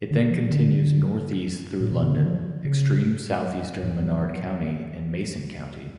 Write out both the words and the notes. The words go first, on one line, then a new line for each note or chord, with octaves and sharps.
It then continues northeast through London, extreme southeastern Menard County, and Mason County.
D3
F3
D3
A2
B2
C#3
D3
F3
C#3
G#2
F#3
F3